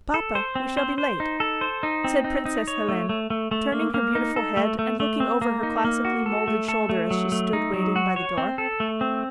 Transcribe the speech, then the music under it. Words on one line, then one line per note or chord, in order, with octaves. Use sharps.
"Papa, we shall be late," said Princess Helene, turning her beautiful head and looking over her classically molded shoulder as she stood waiting by the door.
A4
C5
C4
C5
C5
D#4
A4
C5
D#4
C4
D#4
D#4
C#5
A3
A3
A3
A3
A#3
A#3
D#4
A4
A3
A3
A3
C4
A#3
D#4
A#3
F#4
A4
A3
A4
A3
F#3
A3
D#4
F#3
F#4
C#5
C4
A4
A3
C4